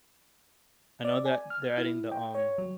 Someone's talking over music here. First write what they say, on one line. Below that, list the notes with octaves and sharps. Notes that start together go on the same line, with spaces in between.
I know that they're adding the, um,
D5
G#5
F6
E4
G5
C#5
F#3